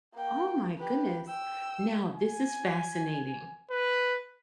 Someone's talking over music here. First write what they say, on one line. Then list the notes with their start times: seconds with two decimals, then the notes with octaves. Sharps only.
Oh, my goodness. Now this is fascinating.
0.14 A#3 G5
0.78 G4 B4
1.26 G5 E6
2.15 G#5
3.70 B4